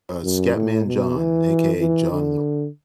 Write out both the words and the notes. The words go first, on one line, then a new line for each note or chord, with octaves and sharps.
Uh, Scatman John, AKA John Lar
F#2
A2
B2
E3
E3
D3